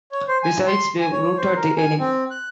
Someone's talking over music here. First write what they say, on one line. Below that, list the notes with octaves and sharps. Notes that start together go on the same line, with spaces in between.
Besides, we've routed the enemy.
C#5
C5
G#5
C6
G#5
C#5
C5
A#4
G#5
C4
F#6